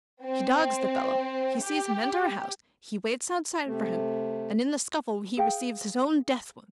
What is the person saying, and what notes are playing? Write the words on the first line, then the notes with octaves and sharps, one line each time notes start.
He dogs the fellow, he sees him enter a house, he waits outside for him, and in the scuffle he receives his own death-wound.
C4
G4
C3 A3
G#4 F5 G5